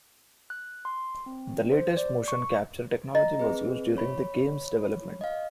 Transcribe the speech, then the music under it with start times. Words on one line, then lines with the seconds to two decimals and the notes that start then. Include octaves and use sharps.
The latest motion capture technology was used during the game's development.
0.50 F#6
0.85 C6
1.26 C4
1.71 C5
1.97 D5
2.28 C#6
3.15 D#5 A#5
3.39 C4 G#4 B4
3.97 C#5 B5
5.21 D#5 F5